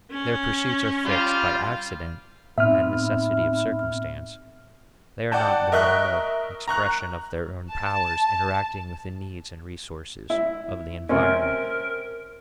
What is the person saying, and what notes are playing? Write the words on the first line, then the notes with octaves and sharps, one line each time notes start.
Their pursuits are fixed by accident and necessity of circumstance; they are not the normal expression of their own powers interacting with the needs and resources of the environment.
C#4
G3 F4
A2 B3 C4 D#4 E5 B5 F6
D5 F#5 G5 A5
A#4 D#5 E5 C#6 F#6
A#5 C#6 F#6
A5
E4
C3 C4 C#4 A#4